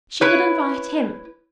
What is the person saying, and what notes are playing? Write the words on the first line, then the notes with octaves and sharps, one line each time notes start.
She would invite him.
E4 B4 C#5